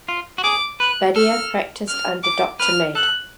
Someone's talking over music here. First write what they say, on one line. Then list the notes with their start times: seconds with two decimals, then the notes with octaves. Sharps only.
Badia practiced under Doctor med.
0.08 F4
0.38 F#4
0.44 G#4 D6
0.80 B4 F#6
1.16 A4 F6
1.88 F6
2.24 D6
2.60 B4 F6
2.95 A4 F#6